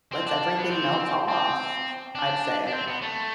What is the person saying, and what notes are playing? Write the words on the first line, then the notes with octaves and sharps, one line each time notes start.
lets everything melt off, I'd say.
C4
D4
B3
C4
C4
D4
D4
C4
B3
A3